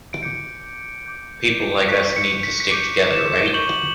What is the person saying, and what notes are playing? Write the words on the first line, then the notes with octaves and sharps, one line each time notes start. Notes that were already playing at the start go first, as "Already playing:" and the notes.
People like us need to stick together, right?
D7
D6 G6 C#7
D6 G6
C#6 F#6 B6
C#7
B6
B6
D6 G6 C#7
E7
G7
C#6 G6 F#7